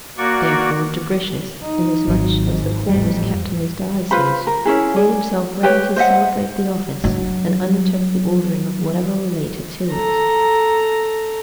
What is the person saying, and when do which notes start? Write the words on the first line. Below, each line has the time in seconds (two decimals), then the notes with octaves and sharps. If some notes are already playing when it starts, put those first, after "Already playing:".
Therefore Dubricius, inasmuch as the court was kept in his diocese, made himself ready to celebrate the office, and undertook the ordering of whatever related to it.
0.18 A#3 F#4 D5 C#6
1.63 D#4
2.08 G#1 F#3
2.46 G#2
2.89 A1 F2 G3
4.11 F4 B4 C5 B5
4.47 A#4
4.65 C#4 E4 G#4
4.96 G#4 D5
5.63 G4 B4 C#5 G5
5.96 C5 D#5 E5 F#5
7.04 F#3 D4
9.92 A4 A#5